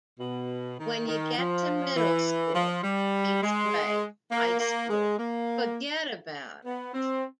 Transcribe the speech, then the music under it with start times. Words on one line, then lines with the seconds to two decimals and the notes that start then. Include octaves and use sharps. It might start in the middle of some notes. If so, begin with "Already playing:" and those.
When you get to middle school, eighth grade, high school - forget about it.
0.20 B2
0.79 D#3
1.08 D#3
1.37 F3
1.96 E3
2.55 F3
2.83 G3
3.43 G#3
4.31 A#3
4.59 A#3
4.89 G#3
5.18 A#3
6.66 B3
6.94 C4